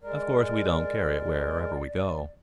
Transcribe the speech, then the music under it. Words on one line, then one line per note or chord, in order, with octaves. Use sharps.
Of course we don't carry it wherever we go.
G#3 A#4 D5